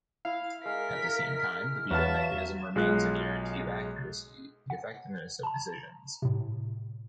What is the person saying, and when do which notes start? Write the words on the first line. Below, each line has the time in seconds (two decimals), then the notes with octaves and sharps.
At the same time, the veto mechanism remains a guarantee of accuracy, the effectiveness of decisions.
0.25 E4 F5
0.65 G#3 A#4 F6 B6
1.91 E2 F#3 B3 E5 F5 A5 B5 E7
2.75 B1 G#3 F4 F#6
4.70 F#5
5.43 A5 A#5
6.22 A2 C3